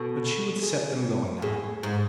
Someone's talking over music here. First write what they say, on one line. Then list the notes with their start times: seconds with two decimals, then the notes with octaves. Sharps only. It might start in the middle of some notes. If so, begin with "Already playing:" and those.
But she would set them going now.
Already playing: B2 A4
0.63 G#4
1.42 A2 G#4
1.83 G#2